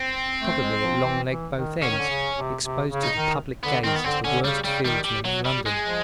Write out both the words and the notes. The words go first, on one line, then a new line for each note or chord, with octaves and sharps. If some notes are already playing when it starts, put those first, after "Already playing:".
Probably at long leg both ends, exposed to the public gaze as the worst fieldsman in London.
Already playing: C4
A3
G#3
F3
E3
E3
D#3
D3 C#4
D#3
D3
C#3
C3
C3
C#3
D#4
D#3
D3 B3
D#3 C4
B3
D3 C4
D3 C#4
C#3 G3
C#3 G3
D#3 G3
G3
F#3
G3
G#3
F3